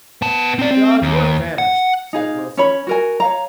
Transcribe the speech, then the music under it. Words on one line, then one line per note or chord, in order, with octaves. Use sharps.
"Judge, we're famished," said Wilson.
B3 A5
C4 D5
C4
D#2
F#5
D#4 G#4 F5
C#4 C#5 B5
F#4 A#4 G#5
C#5 F5 A#5